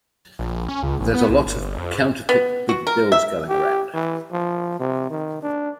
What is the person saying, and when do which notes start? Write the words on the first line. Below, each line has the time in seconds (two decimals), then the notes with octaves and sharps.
There's a lot of counterfeit big bills going around.
0.39 A#1
0.69 C#4
0.83 C#2
1.00 A1
1.14 B3
1.29 C2
1.46 G1
1.61 G1
1.78 F2
1.95 G#2
2.29 B3
2.69 F#4
2.87 A#4
3.12 E5
3.49 G4
3.94 E3
4.32 F3
4.80 C3
5.10 D#3
5.43 D4